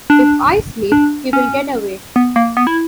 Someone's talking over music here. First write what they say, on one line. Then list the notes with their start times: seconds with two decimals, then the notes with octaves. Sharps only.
If I sleep — he will get away.
0.10 D4
0.92 D4
1.33 C#4
2.16 B3
2.36 A#3
2.57 B3
2.67 E4